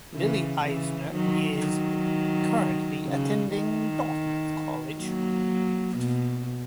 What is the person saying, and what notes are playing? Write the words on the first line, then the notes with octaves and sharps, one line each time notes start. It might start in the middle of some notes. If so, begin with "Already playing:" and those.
Lily Eisner is currently attending Dartmouth College.
C#3 E3
C#3 E3
D#3 F#3
D#3 F#3
C#3
D#3
F#3 A#3
B2